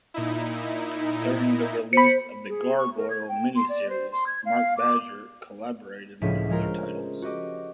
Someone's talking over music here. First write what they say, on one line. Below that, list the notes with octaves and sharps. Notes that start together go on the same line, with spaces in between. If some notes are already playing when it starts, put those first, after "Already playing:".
During the release of "The Gargoyle" mini-series, Mark Badger collaborated on other titles.
A#2 D#4 E4
C5 B5 C#7
G#4
C#6
A#4
G#6
G5
C6
D5
C5
C6
G#6
F5
D6
C#2 A2 F3 D4 B6 D#7
F3 G#3 C#4 F4 A#4 C5
F#4 G4 D#5 D6